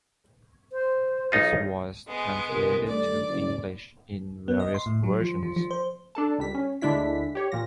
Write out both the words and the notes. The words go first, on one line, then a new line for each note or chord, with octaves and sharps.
It was translated to English in various versions.
C5
B1 D#4 F4
G#3 B3
G1 C3 A#4
G2 D#3 A3 D5
F#1
B3
D#5
C6
A2
F#3
F3
F3
F3
C5
D4 A4 A5
C#2 G3 B6
C#4
D2 D3 G#3 D4 E4 B6
G4 C#5
A#2 F3 A#6